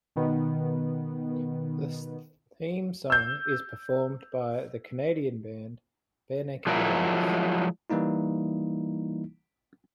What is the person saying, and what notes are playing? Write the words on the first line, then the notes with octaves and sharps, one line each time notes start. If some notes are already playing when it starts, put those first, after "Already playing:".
The theme song is performed by the Canadian band, Barenaked Ladies.
B2 D#3 B3
E6 G6
F3 F#3 G#3 E4 A#4
E3 G3 A#3 D#4 E4